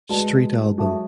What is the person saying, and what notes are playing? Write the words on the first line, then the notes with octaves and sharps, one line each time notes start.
Street album.
G#3 F#4 B4 D5 A5
F#3 A4 E5 A5 C#6